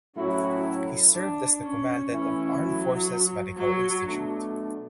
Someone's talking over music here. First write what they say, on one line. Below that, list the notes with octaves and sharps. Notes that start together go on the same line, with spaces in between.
He served as the Commandant of Armed Forces Medical Institute.
A2 F#3 C#4 E4 F#4
D4
C#4
E3 A3 C#4 E4
F#3
F#3
B2 A3 D4